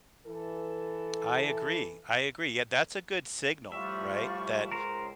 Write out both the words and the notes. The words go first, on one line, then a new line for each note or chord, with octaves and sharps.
I agree, I agree, yeah, that's a good signal, right? That
E3 A4
A2 F3 G3 F4 E5 C#6
C#2 A#4 C5